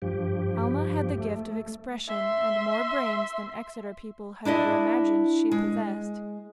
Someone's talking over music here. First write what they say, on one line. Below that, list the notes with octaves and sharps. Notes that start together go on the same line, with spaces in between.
Alma had the gift of expression and more brains than Exeter people had ever imagined she possessed.
G2 F3 G4
A3
E5 C6
D4 E4 D5 D#5
G#3